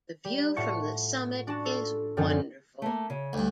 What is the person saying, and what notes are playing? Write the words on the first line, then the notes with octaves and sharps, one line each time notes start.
The view from the summit is wonderful.
G3
A2 F4 F#5 A5 C#6 C#7
D4 F#4 A5
F4 A4
F#2 D3 F3 C4 C#4
A3 A#3
C#3
D2 G2